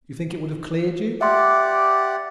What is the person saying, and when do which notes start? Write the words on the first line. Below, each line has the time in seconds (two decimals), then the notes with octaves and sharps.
You think it would have cleared you.
1.21 G4 D5 E5 F#5 C6